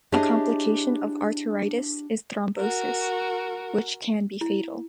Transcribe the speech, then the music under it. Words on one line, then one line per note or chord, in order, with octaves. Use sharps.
A complication of arteritis is thrombosis, which can be fatal.
D4 E4 G4 G#4 C#5 D#5
F#4 A#4
E4